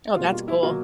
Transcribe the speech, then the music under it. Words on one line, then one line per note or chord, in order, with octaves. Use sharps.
Oh, that's cool.
B2 G3 A#3 F4
F4
E4
B2 F#3 A#3 F4